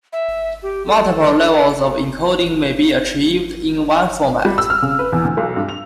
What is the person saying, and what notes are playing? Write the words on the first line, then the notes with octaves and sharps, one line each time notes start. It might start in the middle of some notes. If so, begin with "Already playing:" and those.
Multiple levels of encoding may be achieved in one format.
E5
G4
A4
G3
E6
F6
C#3
B4
E2
D2
B1
G2
F7